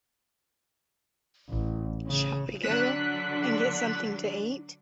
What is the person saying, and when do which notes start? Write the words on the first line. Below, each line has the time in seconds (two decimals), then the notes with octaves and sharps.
Shall we go and get something to eat?
1.50 A1
2.07 C#3
2.64 D3 F#3 D4 F#6 B6